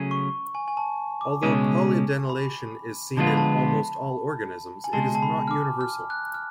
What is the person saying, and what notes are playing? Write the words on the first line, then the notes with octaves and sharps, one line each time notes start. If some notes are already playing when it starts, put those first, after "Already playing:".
Although polyadenylation is seen in almost all organisms, it is not universal.
Already playing: C#3 F#3 A3 C#4 G#4
C#6
G#5
G#5
A5
D6
C#2 B2 G#3 C#4
B5
D3 F3 G#3 B3 F4 A5
B5
A5
G#5
C#2 B2 G#3 A5
A5
B5
F6
D6
F6
F#6
F6